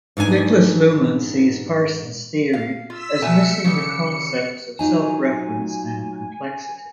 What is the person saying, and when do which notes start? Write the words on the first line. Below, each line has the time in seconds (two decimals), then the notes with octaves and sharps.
Niklas Luhmann sees Parsons' theory as missing the concepts of self-reference and complexity.
0.17 G#2 E3 D4 G#5
2.53 F5
2.90 F4 E6 B6
3.22 B2 A3 G#5 C#7
3.64 C#3 G3
4.79 F#3 D#4 F4 G#5